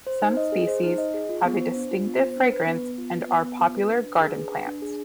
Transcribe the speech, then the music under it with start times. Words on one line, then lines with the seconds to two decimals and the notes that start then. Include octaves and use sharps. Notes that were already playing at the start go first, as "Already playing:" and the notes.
Some species have a distinctive fragrance and are popular garden plants.
0.07 C5
0.22 D#4
0.37 D#5
0.52 G#4
0.67 C5
0.84 D#4
0.98 D#5
1.14 G#4
1.29 F4
1.45 B3
1.61 C5
1.76 D4
1.91 F4
2.06 B3
2.21 C5
2.36 D4
2.52 B4
2.67 B3
2.83 B3
2.98 F4
3.13 B4
3.29 B3
3.44 B3
3.59 F4
3.75 B4
3.90 D4
4.06 D4
4.21 G#4
4.36 B4
4.52 D4
4.67 D4
4.82 G#4